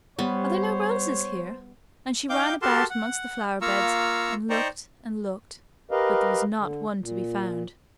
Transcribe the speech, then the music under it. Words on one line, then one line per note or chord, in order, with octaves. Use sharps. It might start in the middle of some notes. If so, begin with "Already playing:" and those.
"Are there no roses here?" and she ran about amongst the flowerbeds, and looked, and looked, but there was not one to be found.
G3 B3 C5 C#5
D#4 F5 G5 D6 G6
F#4 G4 A4 A#4 A5 C6
F#5
A#3 F4 F5 A#5 C#6 E6
D#4 C5 D5 G5 A#5 C#6
G4 A#4 B4 D#5 F5
D3
A#2